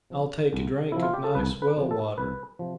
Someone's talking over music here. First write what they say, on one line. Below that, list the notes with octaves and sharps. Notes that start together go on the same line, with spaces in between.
I'll take a drink of nice well-water.
C3 F3
C2
C3 F3 E4
F4
G4
A4
C2 B4
B4
C3 F3
A4
C2 B4
C3 F3